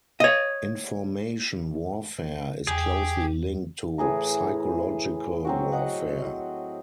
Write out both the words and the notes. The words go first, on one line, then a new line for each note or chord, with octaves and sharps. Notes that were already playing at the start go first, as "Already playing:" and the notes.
Information warfare is closely linked to psychological warfare.
C#5 D#5
E2 G4 G#4 G5
A2 E3 G#4 A#5
F#3 C4 F#4
D#5 F#5